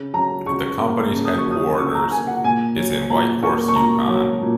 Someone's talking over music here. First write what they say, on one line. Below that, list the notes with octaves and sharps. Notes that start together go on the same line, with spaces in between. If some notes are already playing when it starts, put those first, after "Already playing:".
The company's headquarters is in Whitehorse, Yukon.
Already playing: C#3
F#3 A#5
C#3 C#6
A#3
C#3
D#6
C#6
F#3
D#6
C#3 C#6
A#5
A#3 G#5
F#5
A#2 G#5
F#3
A#2 A#5
A#3 C#6
C#6
A#2 A#5
F#3
A#2